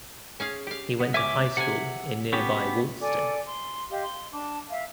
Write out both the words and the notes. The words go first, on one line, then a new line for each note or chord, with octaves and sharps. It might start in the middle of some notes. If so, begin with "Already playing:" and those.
He went to high school in nearby Wolsztyn.
C#4 G#4 F5
G4 F5
B3
C#2 C#4 E5 G#5 D6
C3 F#5 G#5
B3 C#4 F#4 G4 C5
A4 D5 G#5 D6
C6
G4 D#5 F5
C6
D4 A5 D6
E5 F5